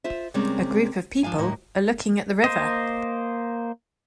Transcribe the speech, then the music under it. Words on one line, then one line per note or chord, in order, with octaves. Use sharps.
A group of people are looking at the river.
F4 C5 E5
C3 G3 G#3 A#3 C4 C#4
F3 D4 F5 G#5
D#2 A2 A#3
A#3 C5 D#5